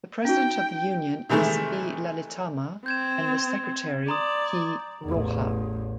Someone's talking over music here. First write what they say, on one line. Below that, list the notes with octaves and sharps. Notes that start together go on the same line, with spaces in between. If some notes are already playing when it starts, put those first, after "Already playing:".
The president of the union is B. Lalitamma and the secretary P. Roja.
C#4 D#4 F#4 G5
C3 D#3 E3 G#3 A3
C4 G6 G#6 E7
D5 A#5 C6 D#6
A1 E2